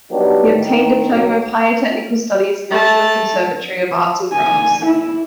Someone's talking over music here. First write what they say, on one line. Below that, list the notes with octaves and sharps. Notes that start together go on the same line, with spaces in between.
He obtained diploma of Higher Technical Studies National Conservatory of Arts and Crafts.
F#3 G3 B3 D4 D#4 G4
A2 D#3
B1 F#3
A3 A5
G#5
E4